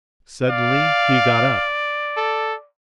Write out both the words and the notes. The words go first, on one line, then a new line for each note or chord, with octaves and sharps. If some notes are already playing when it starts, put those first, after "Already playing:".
Suddenly he got up.
D5 F5
A4